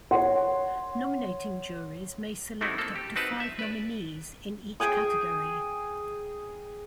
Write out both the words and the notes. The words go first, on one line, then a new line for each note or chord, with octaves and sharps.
Nominating Juries may select up to five nominees in each category.
C#5 F#5 C6
G3 A3 C4 D#4 E4 F#4
A#3 C4 A4
G4
C4 D#4 F#4 A#4 B4 A5
E5
B4 D5
G#4 G5 G#5 D#6